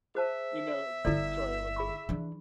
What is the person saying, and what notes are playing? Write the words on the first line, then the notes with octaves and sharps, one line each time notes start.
you know, sorry, I wasn't like,
G#4 C5 E5 A5
G1 D3 E4 A4 D5
G#4 B5 C#6
E3 D4